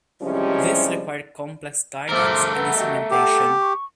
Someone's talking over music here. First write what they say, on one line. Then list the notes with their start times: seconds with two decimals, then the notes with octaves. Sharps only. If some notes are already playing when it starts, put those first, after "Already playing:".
This required complex guidance and instrumentation.
0.22 C3 E3 F3 G3 G#3 C#4
2.09 A3 A#4 C5 D6 F6
2.56 B4 F#5
2.76 F#4 G4 D#5
3.11 G4 A4 F#5
3.60 C#6